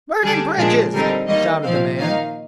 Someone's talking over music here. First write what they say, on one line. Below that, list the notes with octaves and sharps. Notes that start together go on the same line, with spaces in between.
"Burning bridges!" shouted the man.
D3 G3 D4 G#4
A#2 F3 G#3 D4 G#4
D3 G3 C4 D#4 A#4
D#3 G3 A#3 D#4 D#5
A#2 F3 C4 F5
D#3 A#3 D#4 F5